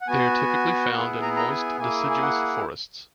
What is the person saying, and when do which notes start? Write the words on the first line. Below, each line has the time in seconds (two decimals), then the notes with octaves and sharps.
They are typically found in moist deciduous forests.
0.01 F#5
0.08 B3 F#4 G#5
0.93 B3 E4 G#4 F#5
1.22 A#5
1.36 A#5
1.50 G#5
1.79 A#3 E4 G#4 G#5
2.11 G#5
2.22 F#5